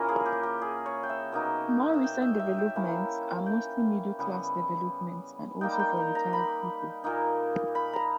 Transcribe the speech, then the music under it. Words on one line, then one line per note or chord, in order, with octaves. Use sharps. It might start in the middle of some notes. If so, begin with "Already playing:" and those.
More recent developments are mostly middle-class developments, and also for retired people.
Already playing: A#2 A#3 C#4 E4 A#4
G#4
G4
G4
G#4
C#5
G5
E5
B2 A#3 D#4
E5
G5
E5
E5
G5
E3 A#3 C#4 E4
G5
C#3 G3 B3 E4
G3 A#3 D#4 G5
G5
A#5
A#5
B5
A#2 A#3 D#4
B5
A#5